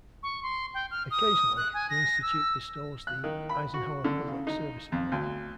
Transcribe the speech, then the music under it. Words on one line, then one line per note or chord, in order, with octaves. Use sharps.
Occasionally, the institute bestows the Eisenhower Public Service Award.
C#6
C6
G5
F6
D#6
F#6
G#5
A#6
E6
F#6
D#3
B5
F#4
D3
C#3
D#4
F2
D2